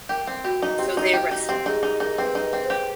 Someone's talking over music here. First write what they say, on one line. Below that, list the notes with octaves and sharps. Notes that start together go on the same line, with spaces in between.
So they arrested him.
G4 A#4
C4
F#4 G4
D#4
C4 G4
D#4
G4
D#4
C4 G4
D#4 G#4
D#4
D#4 A#4
C4 B4
D#4
B4
C4
C5
G4